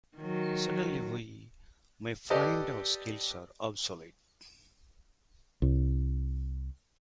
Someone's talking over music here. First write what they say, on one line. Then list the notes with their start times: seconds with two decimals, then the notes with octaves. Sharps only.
Suddenly we may find our skills are obsolete.
0.17 D#3 F#3
2.30 G4 A4 B4 D5 D#5
5.62 C2